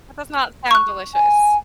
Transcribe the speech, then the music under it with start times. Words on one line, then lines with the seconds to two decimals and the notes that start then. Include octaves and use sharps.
That does not sound delicious.
0.71 C#6 F#6
1.14 G#5